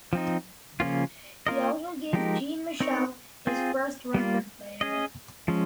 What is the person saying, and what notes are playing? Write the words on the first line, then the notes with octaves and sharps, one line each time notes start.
He also gave Jean-Michel his first record player.
F3 C4 D#4
C#3 F3 A#3 C#4 F4
A#3 F4 A#4 D#5
F3 G#3 D#4 G4 A#4
C4 D#4 A#4 C#5
C4 F4 G#4
G3 A#3 F4
C#4 G#4 D#5
F3 G#3 C#4